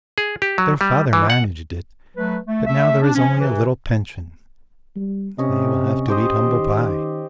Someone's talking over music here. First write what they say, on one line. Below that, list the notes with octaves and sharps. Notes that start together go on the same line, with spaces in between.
Their father managed it, but now there is only a little pension. They will have to eat humble pie.
G#4
G4
F#3
G3
E3
F#5
F#3 A3 B4
A3
A3 E5
D4
F3 C#4
C3 E3
G3
C3 C#4 D#5
G4 C5 D#5
D#3